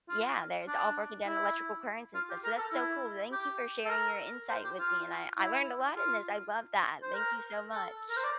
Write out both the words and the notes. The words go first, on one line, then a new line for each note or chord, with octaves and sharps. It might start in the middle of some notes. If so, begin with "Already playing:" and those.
yeah, there's all broken down electrical currents and stuff, so that's so cool, thank you for sharing your insight with me and I I learned a lot in this, I love that, thank you so much.
F4
D4
E4
F4
G4
A#4
A4
E4
G4
A4
A#4
C5
G4
F4
E4
F4
C5
A#4
A4
A#4
C5
D5